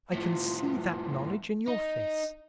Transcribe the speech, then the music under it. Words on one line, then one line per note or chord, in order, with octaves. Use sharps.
I can see that knowledge in your face.
A2 F3
D#4